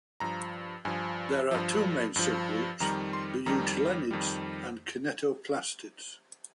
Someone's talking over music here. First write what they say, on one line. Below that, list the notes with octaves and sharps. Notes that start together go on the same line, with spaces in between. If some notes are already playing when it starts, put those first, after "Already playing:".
There are two main subgroups, the euglenids and kinetoplastids.
G2 F3 A#5
G2 F3 G#5
G2 F3
G2 F3
F2 D#3 G3 A#5
C6
F2 D#3 G3 A#5
F2 D#3 G3